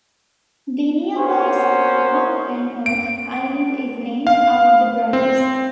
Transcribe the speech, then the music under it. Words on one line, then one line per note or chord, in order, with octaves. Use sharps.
The nearby Stoltenhoff Island is named after the brothers.
A#3 B3 C#4 F#4 C5
D7
F5
C4